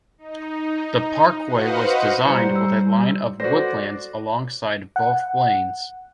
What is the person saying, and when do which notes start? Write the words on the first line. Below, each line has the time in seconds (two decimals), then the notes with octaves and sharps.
The parkway was designed with a line of woodlands alongside both lanes.
0.18 D#4
1.45 F#4 B4 C5 D#5 F5 F#5
2.25 G3 E4 C5 A#5 C#7
2.56 E6
3.40 F#4 A4 B4 C5 D5 A#6
4.96 F#5